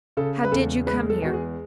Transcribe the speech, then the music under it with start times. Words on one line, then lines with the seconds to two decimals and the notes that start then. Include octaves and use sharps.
How did you come here?
0.17 C#3 A4
0.44 B4
0.52 E2 A4
0.87 G#3 B4
1.10 A4
1.22 E2 F#4
1.33 G#4